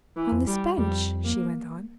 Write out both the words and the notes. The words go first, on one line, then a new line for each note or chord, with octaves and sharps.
"On this bench?" she went on.
E3
F2
G3
F2 G3
A#3